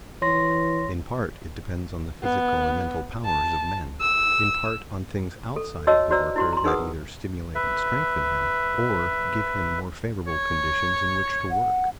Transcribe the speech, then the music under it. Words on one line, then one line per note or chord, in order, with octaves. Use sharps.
In part it depends on the physical and mental powers of men; in part on things outside of the worker that either stimulate and strengthen him, or give him more favorable conditions in which to work.
E3 C#5 C6 A#6
B3
A5
E6
A4
F#4 C#5 D#5 A5 E6
F#4 C5 D5 A#5 E6
E4 F#4 C6
A#5 C6
D#4 G#4 A#4 B4 F#5 D#6
B4 E5
C#5
F#5